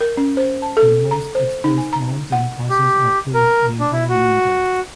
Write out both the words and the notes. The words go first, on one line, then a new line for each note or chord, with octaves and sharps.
The most exposed mountain passes are closed the entire winter.
A#4
C#4
C5
A5
A4
A#5
C5
D#4
G#5
A#5
F#5
G4
A#4
D4
E4
F#4